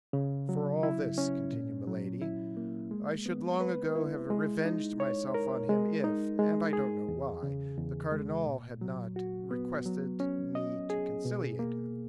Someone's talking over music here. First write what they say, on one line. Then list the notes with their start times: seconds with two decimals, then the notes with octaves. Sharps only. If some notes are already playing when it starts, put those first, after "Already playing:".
"For all this," continued Milady, "I should long ago have revenged myself on him if, and I don't know why, the cardinal had not requested me to conciliate him."
0.13 C#3
0.49 F#3
0.83 E4
1.18 C#4
1.52 A#2
1.87 F#3
2.22 E4
2.57 A#3
2.91 G#3
3.26 B3
3.61 B4
3.96 E4
4.30 G#3
4.65 D#4
5.00 C#5
5.34 A#4
5.69 G#3
6.04 D#4
6.39 G#3
6.73 G#4
7.08 E2
7.43 C#3
7.77 E2
8.12 G#3
8.47 A#2
8.81 F#3
9.16 F#4
9.51 B3
9.86 F#3
10.20 C#4
10.55 D#5
10.90 G#4
11.25 B2
11.59 A#3